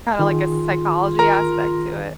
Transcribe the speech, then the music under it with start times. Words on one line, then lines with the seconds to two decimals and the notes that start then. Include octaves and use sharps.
kinda like a psychology aspect to it.
0.19 D#3 F4 G#4
1.19 A#4 A#5